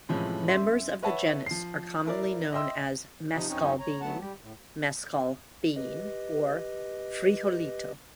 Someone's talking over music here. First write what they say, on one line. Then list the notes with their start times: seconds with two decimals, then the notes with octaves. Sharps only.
Members of the genus are commonly known as mescalbean, mescal bean or frijolito.
0.09 A2 C3 E3 F3 G#3 C#4
0.48 F#2 E5 C6
1.02 B4 C#5 E5 F#5 A5
1.46 F3 C7
2.05 E4 A#4 D5
2.52 D#5 E5 G5 C6 E6
3.32 C3 F3 D#4
3.48 F#2 C4 C#4 D#4
3.80 C#5 A#5
4.01 F#3 A3 B3 F#5 A5
4.20 G3 G4
4.40 A2
5.76 G4 B4 D#5